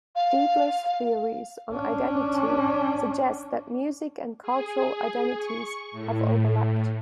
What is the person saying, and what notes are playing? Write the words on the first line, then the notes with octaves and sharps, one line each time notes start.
Dietler's theories on identity suggest that music and cultural identities have overlapped.
F5
C#4 D4
G#4
C#6
A2